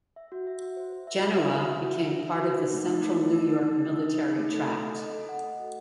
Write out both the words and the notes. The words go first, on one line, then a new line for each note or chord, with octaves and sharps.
Genoa became part of the Central New York Military Tract.
E5
F#4
E5
F#4
C5
C5
E5
F#4
E5
F#4
F#4
F#4
E5
E5
F#4
F#4
D#4
A3
D#4
A3
A3
D#4
D#4
D#4
D#4
D#4
D#4
D#4
A3
A4
A3
A4
D#5
A4
F#5
D#5
F#4